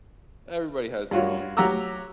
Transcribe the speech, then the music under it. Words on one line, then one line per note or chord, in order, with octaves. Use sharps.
everybody has their own thing.
G2 F4 F#4 C#5
F#3 G4 F#5 A#5 D6 E6